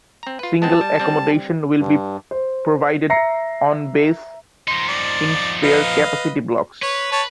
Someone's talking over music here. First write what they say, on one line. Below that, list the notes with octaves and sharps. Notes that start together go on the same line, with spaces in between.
Single accommodation will be provided on base in spare capacity blocks.
C4 A#5
F4 B4
G#3 B3 C4 A5
G3
G3 C4
G2
C5
E5 A#5 A#6 C7 C#7
F3 D#4 C6
D5
B4 D#5 F5
B4 C#5
C#5 A5